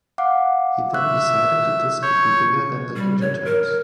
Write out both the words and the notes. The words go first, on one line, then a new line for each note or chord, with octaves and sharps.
He then decided that This could be bigger than the Ninja Turtles.
F5 F#5 D6
E5 C#6 F#6
C#5 G6
G3
C#5
A#4